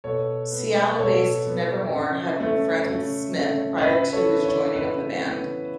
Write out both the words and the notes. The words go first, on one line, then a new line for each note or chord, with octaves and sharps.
Seattle-based Nevermore had been friends with Smyth prior to his joining of the band.
B2 A4 C#5
B3
B2 A4 C#5
B3
C#3
A3 C#4
C#3
A3 C#4
C#3 B4 E5
A4 C#5
E3 B3
A4 C#5
C#3 B4
E3 B3